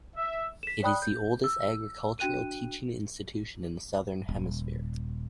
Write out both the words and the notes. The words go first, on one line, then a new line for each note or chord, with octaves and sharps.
It is the oldest agricultural teaching institution in the Southern Hemisphere.
E5
B6 E7
C#5 D5 G5 B5 D#6 F#6
G6
E6
D4 F#4 G5 F#6 D#7
D#1